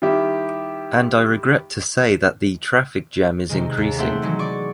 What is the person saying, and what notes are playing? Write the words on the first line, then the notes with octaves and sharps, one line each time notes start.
And I regret to say that the traffic jam is increasing.
D#3 G3 E4 G4
C3 D#3 G#3
D#2
A3 C4 E5 F#5
D#3 E3 F#3 G#3
D5 C#6 D6